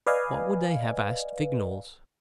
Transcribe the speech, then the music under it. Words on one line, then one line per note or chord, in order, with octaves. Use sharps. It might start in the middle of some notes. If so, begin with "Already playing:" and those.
What would they have, asked Vignolles.
B4 D5 D#5 F5 G#5